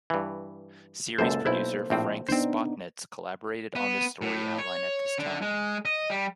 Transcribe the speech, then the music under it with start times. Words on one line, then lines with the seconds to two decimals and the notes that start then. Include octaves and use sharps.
Series producer Frank Spotnitz collaborated on the story outline at this time.
0.10 G2 E3
1.19 C#2 F#2 A#3 A4 C5
1.46 B1 E4 C5 E5
1.90 A#1 A2 C4
2.29 B3 C4 D4 D#4 C5
3.75 B3
4.22 A2
4.58 C#5
5.19 D3
5.42 G#3
5.85 D#5
6.10 G3